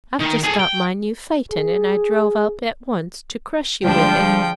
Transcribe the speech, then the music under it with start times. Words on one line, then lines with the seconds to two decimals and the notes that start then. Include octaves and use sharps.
I've just got my new phaeton, and I drove up at once to crush you with it.
0.19 D#3
0.43 G#4 A4
0.59 G5
1.52 G#4
3.85 D2 F3 G3 G#3 D4 G5